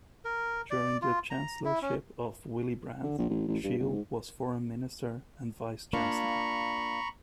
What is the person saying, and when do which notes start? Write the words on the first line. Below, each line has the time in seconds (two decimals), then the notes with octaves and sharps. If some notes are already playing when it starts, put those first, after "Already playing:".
During the Chancellorship of Willy Brandt, Scheel was Foreign Minister and Vice Chancellor.
0.25 A#4
0.71 D5
1.02 F4
1.30 A#5
1.65 E4
1.82 C#4
3.03 D3
3.18 A#1
3.29 A1
3.48 A1
3.64 G2
3.79 G1
3.92 G#2
5.93 A#3 D4 F4 A#5 B5 C#6